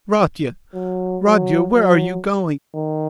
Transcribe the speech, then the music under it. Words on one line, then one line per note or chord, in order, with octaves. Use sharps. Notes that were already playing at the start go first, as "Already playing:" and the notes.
Rodya, Rodya, where are you going?
F#3
F#3
F#3
D#3